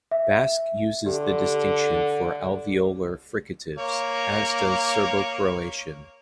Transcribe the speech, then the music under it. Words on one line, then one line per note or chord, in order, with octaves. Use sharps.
Basque uses the distinction for alveolar fricatives, as does Serbo-Croatian.
E5
D3 G4
A#3 C#5